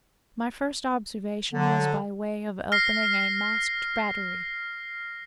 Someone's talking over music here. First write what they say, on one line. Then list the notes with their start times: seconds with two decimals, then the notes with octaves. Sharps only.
My first observation was by way of opening a masked battery.
1.54 D3 F#3
2.72 F6 A#6 C7